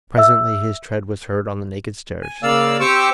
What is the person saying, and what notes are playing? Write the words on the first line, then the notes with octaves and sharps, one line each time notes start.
Presently his tread was heard on the naked stairs.
E5 E6
G#5
C#3 A#3 D5 F5 E6
C4 G4 C5 C#6 D6 E6